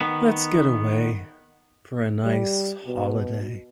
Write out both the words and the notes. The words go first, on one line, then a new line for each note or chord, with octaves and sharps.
Let's get away for a nice holiday.
D#3 B3
G3
B2